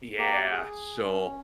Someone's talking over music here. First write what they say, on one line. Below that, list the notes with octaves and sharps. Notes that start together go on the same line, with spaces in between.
Yeah, so
A#3 G4
G#4
C#4